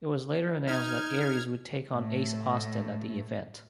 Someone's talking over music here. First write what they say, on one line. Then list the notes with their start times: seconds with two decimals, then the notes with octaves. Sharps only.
It was later announced that Aries would take on Ace Austin at the event.
0.67 D#4 F6 G#6
1.91 A2 A3